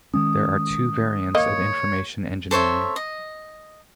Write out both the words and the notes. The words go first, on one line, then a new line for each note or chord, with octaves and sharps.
There are two variants of information engineering.
D#3 G#3 C#4 D#6
A#3 C#5 D#5
A4 C5 C#5 E5
D#5